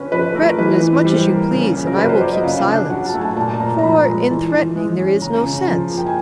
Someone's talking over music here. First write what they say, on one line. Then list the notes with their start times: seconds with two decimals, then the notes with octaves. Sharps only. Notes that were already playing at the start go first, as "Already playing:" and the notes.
Threaten as much as you please, and I will keep silence; for in threatening there is no sense.
Already playing: D3 C#4 B4
0.12 F3 B4
0.35 A3 A#4
0.58 E3 B4
0.81 E3
1.04 G3 C5
1.28 A#3
1.51 C#3
1.74 C#3
1.87 A#4
1.97 F#3 B4
2.09 C5
2.21 A#3 D5
2.33 D#5
2.43 C#3 F5
2.68 D4
2.90 F#3 F#5
3.06 A5
3.14 A3 G#5
3.21 A5
3.36 A#2 A5
3.48 A5
3.60 A#2 A#5
3.79 A#5
3.83 F3 B5
4.06 G#3
4.30 E3
4.52 E3
4.76 G#3
4.99 C#4
5.21 C#3 A#5
5.45 C#3
5.68 F3
5.91 A#3
5.98 G5
6.06 G#5